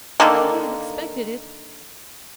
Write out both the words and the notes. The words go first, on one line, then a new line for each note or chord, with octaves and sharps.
I might have expected it.
D3 D#3 A#3